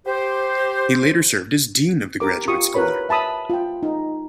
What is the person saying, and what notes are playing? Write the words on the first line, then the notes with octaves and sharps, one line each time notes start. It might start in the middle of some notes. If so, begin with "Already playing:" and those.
He later served as dean of the graduate school.
G4 C5
G4 A#4 D6
F4 G4 C#6 D#6
A#4 B4 C#5 B5
E5 A5 B5 D#6
F4 G5
D#4